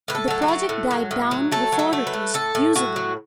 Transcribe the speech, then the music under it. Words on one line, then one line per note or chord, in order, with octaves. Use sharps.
The project died down before it was usable.
A2 B4
A4
F#3 A4
F#4
A3
A2
F#3
A2
F#3
A3 A4
F#3
E5
A3
B4
A2
A2 A4
A2
A2 F#4
F#3